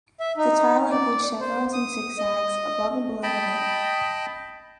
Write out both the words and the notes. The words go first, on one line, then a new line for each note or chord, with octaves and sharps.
The tile includes chevrons and zigzags above and below the lamp.
E5
D#4
D5
C5
D#6
D#5
D#5 G5 A5 B5